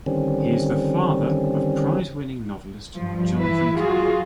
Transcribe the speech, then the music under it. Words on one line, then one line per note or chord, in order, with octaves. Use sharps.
He is the father of prize-winning novelist Jonathan Carroll.
D3 D#3 G3 C4 C#4
G2 F3
E3 E4 B4
F#3 F4 F#4 G#4